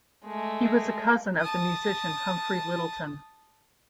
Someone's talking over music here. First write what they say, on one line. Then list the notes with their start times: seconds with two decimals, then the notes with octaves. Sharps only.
He was a cousin of the musician Humphrey Lyttelton.
0.25 G#3 A3
1.40 A5 D#6